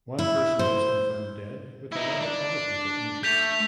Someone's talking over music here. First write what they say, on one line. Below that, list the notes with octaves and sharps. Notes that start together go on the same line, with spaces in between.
One person was confirmed dead with eleven other people injured.
E4
C5
D#4 E4
D4
A3 G6 B6 F7